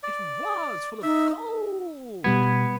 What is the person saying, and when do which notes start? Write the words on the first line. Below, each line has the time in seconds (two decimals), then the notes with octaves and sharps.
It was full of gold.
0.03 D5
1.03 D#4 E5
2.24 B2 G3 B3 G#6